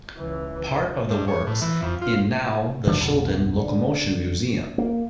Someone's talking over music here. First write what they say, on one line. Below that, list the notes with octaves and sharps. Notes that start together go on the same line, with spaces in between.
Part of the works in now the Shildon Locomotion Museum.
C#2 E3
G2
C#5
A2
E3
F2
F4
D3 E3 G3
B1 F2 B2
D3
A#3